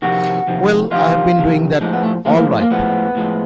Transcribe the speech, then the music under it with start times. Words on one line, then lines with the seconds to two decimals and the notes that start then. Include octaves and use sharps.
Well, I've been doing that, all right.
0.02 F2 C3 D#3 F#4
0.47 F2 C3 D#3
0.91 F2 C3 D#3 F4
1.36 F2 C3 D#3
1.81 A2 F3 G#3 D#4
1.93 B3
2.03 A3
2.25 A2 F3 G#3 A#3
2.37 A#3
2.59 A#3
2.71 A2 F3 G#3 B3
3.15 A2 F3 G#3